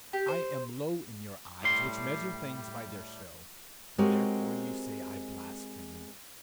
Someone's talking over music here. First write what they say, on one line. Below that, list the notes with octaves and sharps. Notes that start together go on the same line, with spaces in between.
I am low in your eyes which measure things by their show; therefore you say I blaspheme.
G4
C5
A2 G3 C6
G#3 C4 F#4 G4 A#4 C#5